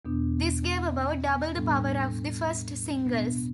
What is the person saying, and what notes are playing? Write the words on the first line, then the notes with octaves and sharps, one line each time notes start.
This gave about double the power of the first singles.
E2 B2 B3 D4
A2 G3 B3 D4
B2 B3 D4